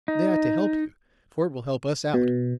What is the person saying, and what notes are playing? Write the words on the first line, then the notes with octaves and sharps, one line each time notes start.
They ought to help you, for it will help us out.
D#4
B2